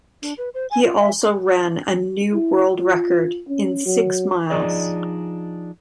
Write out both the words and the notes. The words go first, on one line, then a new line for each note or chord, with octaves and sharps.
He also ran a new world record in six miles.
D4
B4
C5
G#5
F4
E5
E4
F4
C#4
F#3
F3 D4 D#4 G#4 D5 D#5